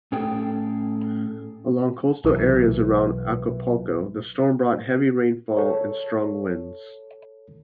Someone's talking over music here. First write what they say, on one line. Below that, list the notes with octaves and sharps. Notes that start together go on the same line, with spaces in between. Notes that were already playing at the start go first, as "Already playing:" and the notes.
Along coastal areas around Acapulco, the storm brought heavy rainfall and strong winds.
A2 C#4 G#4 A4 G5
B1 E3
A4 C#5